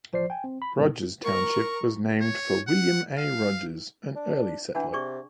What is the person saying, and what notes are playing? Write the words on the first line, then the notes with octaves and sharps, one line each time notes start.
Rogers Township was named for William A. Rogers, an early settler.
A1 F3 C5 D5 C7
G5 G#5
C4
B5
G2 B2 D#3 B3
A#4 A#5 C#6
C#5
F#5
F5
D4
E3 D4 F#5 A5
C3 G#4 D5 C#6